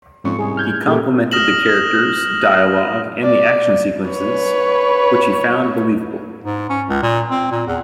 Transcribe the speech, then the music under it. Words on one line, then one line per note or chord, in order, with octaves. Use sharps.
He complimented the characters, dialogue, and the action sequences which he found believable.
F2 G#2 C#4 C#6
C2 G#4
F6 G6 G#6
A#2 C#3 A#3 G4 A4
D#6 F6 A#6 E7 F#7
D5
B4 C#5
G#2
C#4
C#2
A#2
C4
A#2
E2